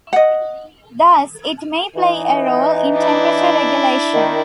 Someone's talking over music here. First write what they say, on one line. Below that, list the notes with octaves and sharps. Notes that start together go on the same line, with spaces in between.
Thus, it may play a role in temperature regulation.
D#5 F#5
E3 D#4
D4 E4
D#3